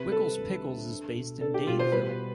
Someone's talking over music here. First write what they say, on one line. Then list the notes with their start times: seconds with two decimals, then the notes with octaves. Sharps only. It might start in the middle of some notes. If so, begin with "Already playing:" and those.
Wickles Pickles is based in Dadeville.
Already playing: C3 B4
0.11 G3 A4
0.38 D2
0.64 D4
0.90 D4
1.14 B2
1.40 D4 A4
1.54 G4
1.67 B2 F4
1.79 C5
1.92 G3 B4